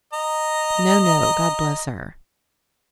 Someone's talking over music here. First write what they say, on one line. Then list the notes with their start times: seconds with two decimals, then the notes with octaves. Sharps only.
No, no, God bless her!
0.13 D#5 A#5